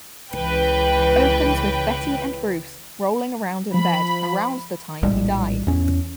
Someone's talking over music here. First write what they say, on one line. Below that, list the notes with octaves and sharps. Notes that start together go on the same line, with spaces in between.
Opens with Betty and Bruce rolling around in bed around the time he died.
C#2 E3 B4 G5
F3 B5
A#1 A2 G3 G#3
E2 C#4